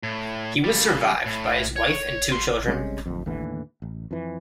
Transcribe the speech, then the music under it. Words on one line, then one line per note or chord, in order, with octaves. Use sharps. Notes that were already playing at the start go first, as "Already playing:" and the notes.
He was survived by his wife and two children.
A2
C#3 G3
A2
C#5
G3 C6
C3 G3 G#3 C#4
D1 F2
D#2 A2 D3 E3
A1
F2 E3